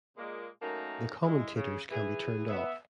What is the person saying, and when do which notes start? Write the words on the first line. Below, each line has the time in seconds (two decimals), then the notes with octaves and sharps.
The commentators can be turned off.
0.17 A#2 G#3 A#3
0.61 F#2 A3 A#3 D#4 A5 A#5
1.23 G#3 E4
1.55 C#3
1.90 E3 G#4
2.49 B3 E5